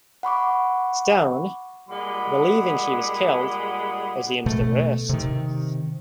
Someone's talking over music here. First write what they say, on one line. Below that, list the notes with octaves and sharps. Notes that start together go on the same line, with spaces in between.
Stone, believing she was killed, assumes the worst.
F#5 B5 C#6 D6
A#2 G3 G#3 F#5 B5
B2 A3
C3 D#3